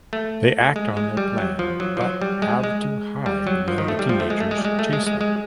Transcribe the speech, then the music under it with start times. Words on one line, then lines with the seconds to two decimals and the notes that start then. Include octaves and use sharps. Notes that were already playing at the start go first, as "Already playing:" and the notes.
They act on their plan but have to hide when the teenagers chase them.
0.13 A3
0.76 G#3
0.97 G#3
1.17 G3
1.38 F#3
1.59 F3
1.80 F#3
1.97 F3
2.01 F#3
2.22 G3
2.42 G#3
2.64 G#3
3.26 G3
3.47 F#3
3.68 F3
3.78 D#3
3.88 A3
3.99 G3
4.09 F3
4.20 A3
4.30 G#3
4.40 A3
4.51 G#3
4.58 G3
4.65 G#3
4.79 A3
4.93 G#3
5.07 G#3
5.21 G#3